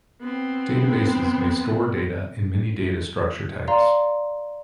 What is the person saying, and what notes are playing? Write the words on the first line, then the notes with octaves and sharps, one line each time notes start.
Databases may store data in many data structure types.
B3 C4
D5 F5 A#5 C6